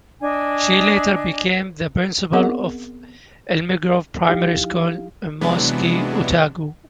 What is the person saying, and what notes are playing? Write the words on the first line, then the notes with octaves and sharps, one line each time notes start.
She later became the principal of Elmgrove primary school in Mosgiel, Otago.
D4 D#5 G#5
B3 C4 G#4 A#4 D#5 F#5
F3 D#4 E4 G4 F5
C3 E3 F#3 G#3 B3 D4